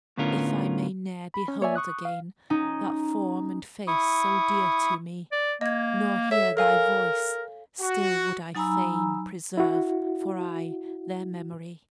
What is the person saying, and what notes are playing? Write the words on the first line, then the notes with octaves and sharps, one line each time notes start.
If I may ne'er behold again That form and face so dear to me, Nor hear thy voice, still would I fain Preserve, for aye, their memory.
A2 D3 B3 C#4 F4 A#4
B5
C#4
A#3 C#5 D5 E5 G#5
C#6 D#6 F#6
F5
C#4 D#4
E4 C#6 D#6
D5
A#3 D#5 G#6
A4 C#5 E5
A4 A#4 F5 G#5
F#4
F#3 D#4 G#5 A#5 B5 E6
E4 F#4